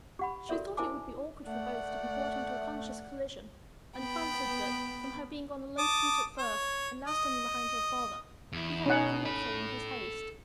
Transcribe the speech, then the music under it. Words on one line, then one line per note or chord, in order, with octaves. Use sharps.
She thought it would be awkward for both to be brought into conscious collision; and fancied that, from her being on a low seat at first, and now standing behind her father, he had overlooked her in his haste.
G4 F#5 B5
F#4 A4 A#4 D5 E5
E4 A#4 C5 G#5 A5 D6
A3 D5 F#5
B3 G5 B5
A5 D6 D#6
C#5
D#5
E2 E4
B2 C#4 D#4 F#5
A4 B5